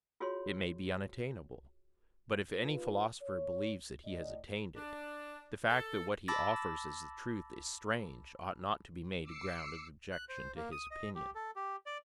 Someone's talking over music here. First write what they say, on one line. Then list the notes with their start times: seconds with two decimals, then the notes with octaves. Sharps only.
It may be unattainable, but if any philosopher believes that he has attained it, the fact that what he offers as the truth is strange ought not to be made a ground of objection to his opinion.
0.20 F4 F#4 G#4 C#5 C6
2.60 D#2 F4 B4
3.22 C#5
4.05 A2 D5 D#5
4.76 D4
5.69 A4
6.28 A5 B5 D6 E6 A6 A#6
9.21 D6 E6 C7 C#7
10.12 F#6
10.29 C5
10.56 A#3
10.72 D#6
10.91 D#5
11.15 G4
11.35 A4
11.56 G4
11.86 D5